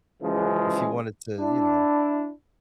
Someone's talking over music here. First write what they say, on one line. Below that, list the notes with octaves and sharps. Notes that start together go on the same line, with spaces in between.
if you wanted to, you know
F#2 C#3 E3 F3 G#3
D4 E4